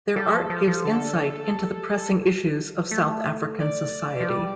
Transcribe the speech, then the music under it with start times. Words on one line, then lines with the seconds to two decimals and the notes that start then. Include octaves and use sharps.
Their art gives insight into the pressing issues of South African society.
0.16 G3 A4
0.34 F3
0.50 F3
0.67 F3
0.85 D3 A4
1.48 A3
1.54 G3
2.91 A3
3.60 D5
4.21 F3
4.29 G3